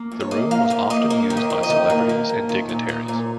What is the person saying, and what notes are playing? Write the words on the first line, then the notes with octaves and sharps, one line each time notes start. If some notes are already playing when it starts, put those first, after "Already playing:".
The room was often used by celebrities and dignitaries.
Already playing: A#3
F2
C#5
A#3 D#5
A#3 F5
F2 F5
A#3 D#5
A#3 D#5
D#3
D#5
F2
D#5
D#3
A#3
A#3
F2
D#3
A#2 F5
A#2 D#5
A#2 A#4